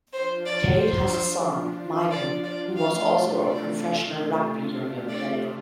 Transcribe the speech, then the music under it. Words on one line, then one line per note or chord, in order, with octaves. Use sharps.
Tait has a son, Michael, who was also a professional rugby union player.
F3 D4 F4 C5
D5
C5
D5
D5
C3 A3 D4 F4 F5
D5
D5